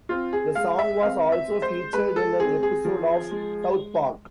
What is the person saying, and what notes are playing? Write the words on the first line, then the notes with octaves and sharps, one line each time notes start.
The song was also featured in an episode of "South Park".
C4 F4
G#4
G#3 F5
E5
C4 F5
E5
G#3
C5
G#3 B4
A4
C4 G#4
G#4
F3
G#3